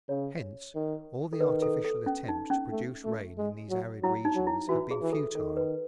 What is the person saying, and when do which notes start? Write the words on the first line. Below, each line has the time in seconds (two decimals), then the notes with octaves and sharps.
Hence, all the artificial attempts to produce rain in these arid regions have been futile.
0.09 C#3 C#5
0.75 D#3
1.33 A4
1.40 D#3 B4
1.62 A4
1.84 A4
2.06 C#4
2.28 D#4
2.50 C#4
2.71 A3
3.05 A3
3.38 G#3
3.70 F#3
4.03 F#3 E4
4.25 D#4
4.36 F#3
4.47 E4
4.69 E3 F#4
4.91 G#4
5.02 E3
5.13 A4
5.35 D#3 A4
5.57 B4